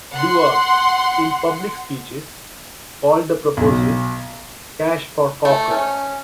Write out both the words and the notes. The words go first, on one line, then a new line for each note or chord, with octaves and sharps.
Doerr, in public speeches, called the proposal "cash for caulkers".
F#5 C6
B1
A3
C#4